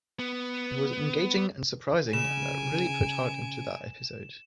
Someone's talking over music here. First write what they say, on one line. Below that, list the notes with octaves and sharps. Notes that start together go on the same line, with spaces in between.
It was engaging and surprising and I really put heart into that episode.
B3
C#3 G#5 D7 E7